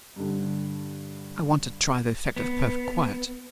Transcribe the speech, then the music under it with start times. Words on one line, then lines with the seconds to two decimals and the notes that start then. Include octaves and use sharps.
I want to try the effect of perfect quiet.
0.16 G2 D3
2.36 B3